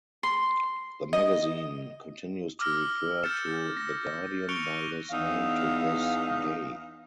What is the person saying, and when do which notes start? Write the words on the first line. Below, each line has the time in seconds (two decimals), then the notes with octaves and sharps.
The magazine continues to refer to "The Guardian" by this name to this day.
0.23 C6
1.13 D#5
2.59 D6 E6 F6 A#6 G7
3.23 F6 G6 A6 C#7 E7
3.77 A#6
4.49 C#6 F#6 C#7 D7 F7 G7
5.11 E2 D#4 F5